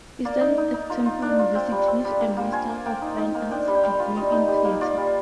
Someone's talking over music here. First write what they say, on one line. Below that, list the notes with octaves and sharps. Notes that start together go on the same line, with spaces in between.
He studied at Temple University with a Master of Fine Arts degree in theatre.
A#3 D5
D#4
D#4
D#4
F4 A#4
F4
D4
F4
C4 G5
G3
C4
G3
A#3
A#3
F4 G#5
A#3
A#3 G5
D#4
D#4
A#3
D4 G5
G3
G5
G3 F5
F4
G3 D#5
D#4
G3
A#3
F4 D5
G3